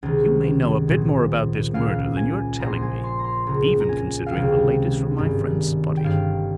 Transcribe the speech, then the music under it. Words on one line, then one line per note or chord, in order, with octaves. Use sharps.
You may know a bit more about this murder than you're telling me, even considering the latest from my friend Spotty.
C#2 C3 D#3
A#1 A#2
C#2 C#3 F5
G#5
A#1 A#2 A#5
C6
A#5
G#5
C6
A#5
C6
C#2 C#3 A#5
A#5
G#5
F5
C#2 C3 D#3 G5
G#1 G2 D#3
G5
G1 G2 D#3 F5